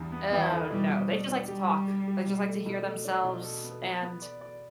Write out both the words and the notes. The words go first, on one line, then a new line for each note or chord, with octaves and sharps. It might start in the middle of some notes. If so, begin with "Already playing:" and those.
Oh, no, they just like to talk. They just like to hear themselves. And
Already playing: E2 G2
B3
E3 B3
D3
B2 G3
B2
D4
D4
G3 G4
G4
G4
G4
B2
A3
B2
A3
D4
B2
A4
B3
B3
B3
D5
D5